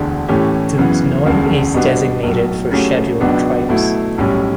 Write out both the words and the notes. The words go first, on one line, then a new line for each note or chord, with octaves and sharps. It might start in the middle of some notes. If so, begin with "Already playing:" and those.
Dudhnoi is designated for scheduled tribes.
Already playing: E1 D2 D3
A2 E3 A3 C#4 G4
F#2 C#3 E3 B3
E1 D2 C#3
B2 G3 B3 D4
B1 A2 F#3
C#3 F#3 A3 C#4 G4
C#2 B2 F#3 B3 D4
B2 F#3 A3 E4
B1 A2 G3 C#4